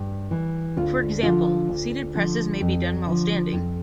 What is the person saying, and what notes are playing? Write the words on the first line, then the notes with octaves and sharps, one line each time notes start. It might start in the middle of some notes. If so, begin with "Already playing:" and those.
For example, seated presses may be done while standing.
Already playing: G2
E3
D2 F4
D3 F3 F4
D2
D3 F3
F2
D3 F3
F2